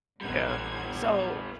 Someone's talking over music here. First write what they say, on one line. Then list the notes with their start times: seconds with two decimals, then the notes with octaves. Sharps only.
yeah, so
0.21 A#1 E2 G3 B3 G#6